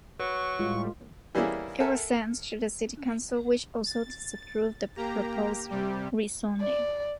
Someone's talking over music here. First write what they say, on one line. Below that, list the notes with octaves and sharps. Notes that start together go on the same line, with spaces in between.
It was sent to the city council which also disapproved the proposed rezoning.
F#3 B4 C#6
A2 G3 G#3 F4
E3 G3 A#3 C#4 E4 G#4
A4 A#4 E5 F#5 G#5 A#5
A6
A#3 G4 A#5
C3 G3 G4
D5